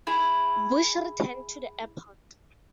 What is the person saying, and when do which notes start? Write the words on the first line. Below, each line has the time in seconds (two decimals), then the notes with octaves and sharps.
Bush returned to the airport.
0.07 E4 G#4